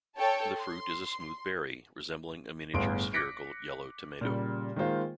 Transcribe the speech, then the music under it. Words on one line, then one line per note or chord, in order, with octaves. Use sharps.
The fruit is a smooth berry, resembling a miniature, spherical, yellow tomato.
A4 C#5 G5 A5
C6
G1 A2 B3 G#4 C6 D7
D6 F#6 A#6 B6 C#7 D7
A#2 C#3 G3
D#3 G#3 A#3 F4 C5